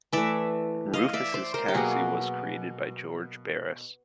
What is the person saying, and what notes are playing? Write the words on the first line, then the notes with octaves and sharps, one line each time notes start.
Rufus' taxi was created by George Barris.
E3 A3 D5 E5
D#5 F5
D5 E5
C5 D5
A#4 C5
G4
B2 F#3 A#3 F#4 G#4